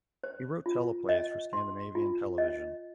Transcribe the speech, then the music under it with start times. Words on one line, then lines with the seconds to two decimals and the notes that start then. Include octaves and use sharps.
He wrote teleplays for Scandinavian television.
0.24 C5
0.66 F4
1.09 D#5
1.53 C6
1.95 F4
2.38 D#5